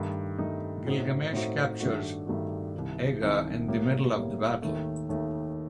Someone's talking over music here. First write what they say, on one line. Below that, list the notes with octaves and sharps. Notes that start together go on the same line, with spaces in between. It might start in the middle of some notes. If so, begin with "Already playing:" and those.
Gilgamesh captures Aga in the middle of the battle.
Already playing: G2 D#3 A3 D#4
G2 D#3 A3 D#4
A2 A3 C4 D#4 F#4
A2 A3 C4 D#4 F#4
G2 D#3 A3 D4 F#4
G2 D#3 A3 D4 F#4
C2 C3 D#3
C2 C3 D#3
A2 G3 A#3
A2 G3 A#3
D#2 D#3 A3
D#2 D#3 A3